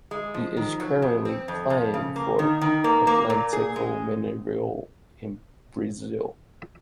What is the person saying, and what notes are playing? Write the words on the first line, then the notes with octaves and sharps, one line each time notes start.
He is currently playing for Atletico Mineiro in Brazil.
G#3
F3
D#3
F#3
F2
C4
F2
F2
C#3
A#3
D#3
D#3
A#3
A#3
A#2
G#4
G#3